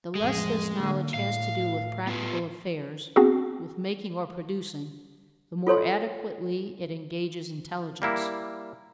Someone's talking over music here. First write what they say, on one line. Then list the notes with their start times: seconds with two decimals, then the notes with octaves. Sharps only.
The less this knowledge has to do with practical affairs, with making or producing, the more adequately it engages intelligence.
0.15 A1 F2 G#3
0.76 D3 A#3
1.14 A2 F5
2.07 B3 F4 B4
3.16 B3 C4 D4 F#4 G#4
5.67 F4 A4 C#5 C6
8.02 G3 A#3 E4